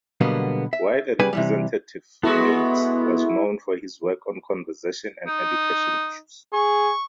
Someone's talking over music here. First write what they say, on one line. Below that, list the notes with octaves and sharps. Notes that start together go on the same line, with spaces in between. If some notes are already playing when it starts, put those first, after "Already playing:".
While a representative, Meeds was known for his work on conservation and education issues.
B2 D3 F#3 G3 A#3 B3
E5
C#3 G3 B4 D5 G#5
C3 E3 G3
G#3 B3 E4 F#4 A4
D#4
G#4 C#6